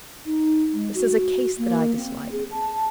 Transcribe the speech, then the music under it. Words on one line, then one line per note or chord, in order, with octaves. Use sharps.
This is a case that I dislike.
D#4
G#3
F#4
A#3
C4
G#4
A5